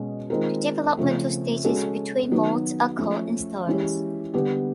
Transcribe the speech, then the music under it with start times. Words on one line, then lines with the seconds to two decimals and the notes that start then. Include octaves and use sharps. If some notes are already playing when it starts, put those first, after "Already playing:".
The developmental stages between molts are called instars.
Already playing: B2 G#3 C#4
0.30 D#3 G#3 C4 F4 A#4
0.97 C#3 F3 A3 C4
1.65 G#3 C#4 F#4 A4
2.31 D#3 F#3 B3 D#4 F#4
2.99 F3 A3 C#4
3.67 E3 G#3 C#4 E4 G4
4.34 D3 G3 B3 D4 G4